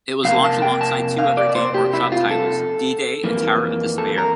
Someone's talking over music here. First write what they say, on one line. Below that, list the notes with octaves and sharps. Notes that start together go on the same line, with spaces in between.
It was launched alongside two other Games Workshop titles, D-Day and Tower Of Despair.
F2 C3 A#3 F5
A5
G5
A5
F5
D5
D5
C5
G4
E4
F4
A4
F2 E3 A#3
A4
A#4